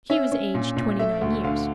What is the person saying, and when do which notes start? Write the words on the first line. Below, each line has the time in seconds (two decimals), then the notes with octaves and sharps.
She was aged twenty-nine years.
0.10 C#4 E5
0.32 C#4
0.54 A#2
0.77 A#2
0.99 A3 E5
1.21 D2
1.44 D3 F5